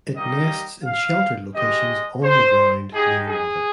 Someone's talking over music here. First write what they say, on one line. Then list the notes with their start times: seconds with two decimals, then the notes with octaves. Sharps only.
It nests in sheltered locations on the ground near water.
0.15 G3 A#3 D#4 G4 D#5
0.85 F5
1.54 G#3 D#4 G4 D#5
2.24 C5
2.93 G#3 D#4 G4 G#4
3.28 G#4